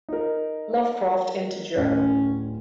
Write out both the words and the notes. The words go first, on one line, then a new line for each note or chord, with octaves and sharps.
Lovecraft into German.
D#4 A#4
D1 C#4